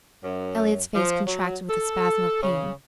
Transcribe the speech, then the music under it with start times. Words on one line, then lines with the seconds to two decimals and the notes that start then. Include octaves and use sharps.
Elliott's face contracted with a spasm of pain.
0.23 F#2
0.95 F3
1.27 F#3
1.69 A4
2.42 C#3